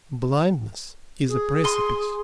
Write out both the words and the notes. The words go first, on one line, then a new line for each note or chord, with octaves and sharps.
Blindness is a precipice.
G#4
C6 D#6